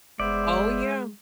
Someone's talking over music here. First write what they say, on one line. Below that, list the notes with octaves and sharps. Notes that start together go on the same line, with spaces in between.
Oh, yeah.
F#1 G#3 B3 C5 D5 E5